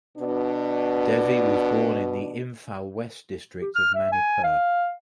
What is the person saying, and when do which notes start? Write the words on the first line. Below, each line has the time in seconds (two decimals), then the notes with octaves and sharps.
Devi was born in the Imphal West district of Manipur.
0.18 B2 D4
3.61 G4
3.75 F6
3.95 E5
4.12 G#5
4.44 F5